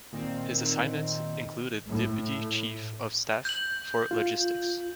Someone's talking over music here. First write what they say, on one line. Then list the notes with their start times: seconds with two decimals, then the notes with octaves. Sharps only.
His assignments included Deputy Chief of Staff for Logistics.
0.12 A#2 D#3 C4
1.87 A2
3.45 G6 F#7
4.11 F4